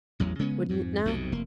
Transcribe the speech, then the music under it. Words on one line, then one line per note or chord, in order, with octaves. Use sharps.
Wouldn't it now?'
A1 E2 F#3
C#3 G#3 B3 C#4
F2 G#2
B1 F2 C3
F1 A#3